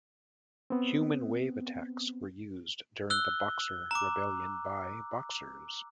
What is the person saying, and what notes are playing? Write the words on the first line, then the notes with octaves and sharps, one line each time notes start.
Human wave attacks were used during the Boxer rebellion by Boxers.
B3 C4
E6 F#6 G7
A#5 D6